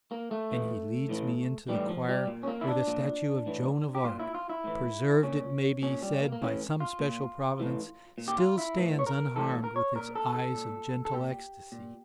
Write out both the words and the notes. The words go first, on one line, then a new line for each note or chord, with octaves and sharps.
And he leads me into the choir where the statue of Joan of Arc, preserved it may be said by some special Providence, still stands unharmed, with its eyes of gentle ecstasy.
A#3
A3
A2 E3
A2 E3
A2 E3 G3
F3
G3
A#2
C#4
A#3
E4
D4
A#2
A2 E3
G4
A#2 F4
E4
F4
E4
A2 E3
A#2 C#4
A#2 C#4
G3
A#3
A#3
A2 E3 C#4
F4
A#2
A2 E3
A#2
G4
F4
E4
A2 E3
C#5
A#4
A2 E3 A4
A#4
C#5
A#2 A#4
A4
A4
A#2
A4
A#2 G4
A#2